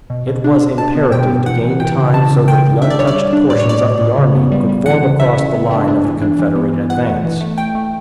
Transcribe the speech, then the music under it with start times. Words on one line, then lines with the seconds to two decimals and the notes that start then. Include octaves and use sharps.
It was imperative to gain time so that the untouched portions of the army could form across the line of the Confederate advance.
0.10 B2
0.27 B2
0.44 D4
0.61 D4
0.78 B2 A5
0.95 B3
1.12 B2 G5
1.29 B3
1.46 E3 F#5
1.63 E3
1.80 E3 G5
1.97 C#3
2.14 E3 A5
2.31 C#3
2.48 C#3 G5
2.65 C#3
2.82 D4 E5
2.90 D5
2.99 G3 C#5
3.07 D5
3.16 G3
3.33 D4
3.50 A2 D5
3.60 C#5
3.67 A2 D5
3.84 A2
4.01 A2
4.18 C#3
4.35 B3
4.52 G3
4.69 G3
4.86 E3 F#5
5.03 C#3
5.20 E3 E5
5.37 C#3
5.54 B3
5.71 D4
5.88 D4
6.05 E3
6.22 D4
6.39 E3
6.55 B3
6.73 E3
6.90 E3 F#5
7.07 A3
7.24 E3
7.41 A3
7.58 A3 G5
7.75 A3